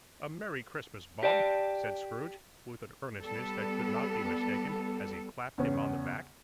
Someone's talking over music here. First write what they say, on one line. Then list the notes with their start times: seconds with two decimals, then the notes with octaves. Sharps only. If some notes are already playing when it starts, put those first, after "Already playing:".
'A merry Christmas, Bob!' said Scrooge, with an earnestness that could not be mistaken, as he clapped him on the back.
1.23 G4 D5 A5
3.21 G3 B3 A4
5.58 E2 C#3 B3 C#4